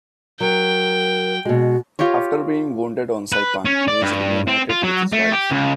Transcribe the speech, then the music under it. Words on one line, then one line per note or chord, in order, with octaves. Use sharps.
After being wounded on Saipan he is reunited with his wife.
F#3 A#4 G5
B2 G#3 F#4
F4 G4 A#4 C#5
B4
C#4
D5
G2
C4
F4
F#3
A3
G4
C#2